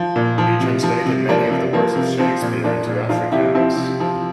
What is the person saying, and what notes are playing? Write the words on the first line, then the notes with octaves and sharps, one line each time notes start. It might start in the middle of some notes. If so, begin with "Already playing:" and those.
He translated many of the works of Shakespeare into Afrikaans.
Already playing: F3
A#2
F3
C3
F3
C3
F3 A#3 D4
C3
F3 A#3
C3
F3 C4
A#2
F3 A#3 D4
A#2
F3 D4 F4
C3 E4 G4
F3 C4 E4
C3
F3